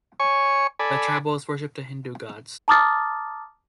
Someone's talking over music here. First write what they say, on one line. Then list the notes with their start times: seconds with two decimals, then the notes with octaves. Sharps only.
The tribals worship the Hindu gods.
0.20 C#5 G#5 C#6
0.79 A4 D5 G#5 B5
2.68 A5 A#5 D6 D#6 F6 A6